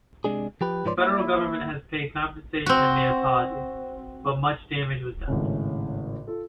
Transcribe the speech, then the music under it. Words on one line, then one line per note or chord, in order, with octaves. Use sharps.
The federal government has paid compensation and made apologies, but much damage was done.
C3 G#3 D4 G#4
F3 G4 B4
G#2 F3 B4 C#5 D5 C6
A#3 E4
C4 F#4
G#1 A2 C#3
F4 A4